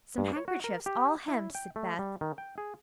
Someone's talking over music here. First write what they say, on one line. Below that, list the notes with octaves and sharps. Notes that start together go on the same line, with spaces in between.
"Some handkerchiefs, all hemmed," said Beth.
G2
C#5
F#4
A#4
G4
E4
G5
A3
G3
D#3
G5
G#4